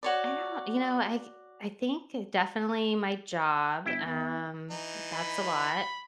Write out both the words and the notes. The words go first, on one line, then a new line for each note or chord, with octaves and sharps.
I don't you know, I c I think definitely my job, um, that's a lot.
F#4 C#5 D5
G1 E4 G5
E2
E3 D#4
B5